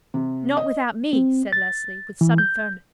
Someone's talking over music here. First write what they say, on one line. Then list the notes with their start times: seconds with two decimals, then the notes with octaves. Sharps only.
"Not without me," said Leslie with sudden firmness.
0.14 C3
0.57 D#5
1.13 C4
1.53 A6
2.21 E3
2.38 G6